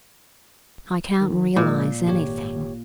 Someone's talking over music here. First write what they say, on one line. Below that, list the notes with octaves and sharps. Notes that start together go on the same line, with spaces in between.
I can't realise anything.
D#3
A#2 F3 G#3 A#3
G#1 G4 C#5